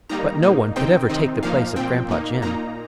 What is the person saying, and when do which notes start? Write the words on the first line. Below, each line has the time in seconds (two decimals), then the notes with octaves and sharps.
But no one could ever take the place of Gran'pa Jim.
0.09 D#3 G3 A#3 D#4 A#5
0.42 A#2 A#3 D#4
0.76 C3 D#3 C4 D#4 G5
1.09 C3 D#3 C4 D#4
1.43 A#2 F3 A#3 D#4 F5
1.76 A#2 F3 C4 G5
2.09 A#2 A#3 D#4
2.42 A#2 A#3 D#4 A#5